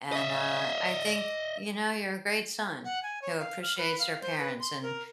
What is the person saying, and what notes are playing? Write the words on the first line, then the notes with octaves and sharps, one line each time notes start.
and, uh, I think, you know, you're a great son who appreciates their parents, and
D#5 E5
F#5
G#5
C#5
F5
F6
B4
F5
C5
B4
C6
A#4